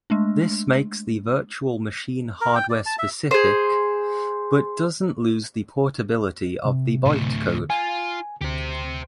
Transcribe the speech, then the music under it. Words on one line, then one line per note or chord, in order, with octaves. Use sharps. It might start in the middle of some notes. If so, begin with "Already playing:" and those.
This makes the virtual machine hardware-specific, but doesn't lose the portability of the bytecode.
G#3 A3 D4
A#4
G5
D5
A5
E5
G#4 C5
C3
D2 A2
F4 G#5
D2 G4 C5